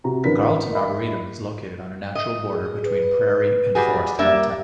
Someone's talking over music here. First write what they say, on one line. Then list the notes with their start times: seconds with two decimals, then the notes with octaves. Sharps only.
The Carleton Arboretum is located on a natural border between prairie and forest habitat.
0.04 C3 F#4 A#5
0.24 A1 D3 D4 A#4 B4 B6
0.72 A#4 D#5 E5 B5
2.15 D#5
2.52 G#4
2.86 B4
3.75 G3 F#4 G#4
4.19 G3 A#3 D4 E5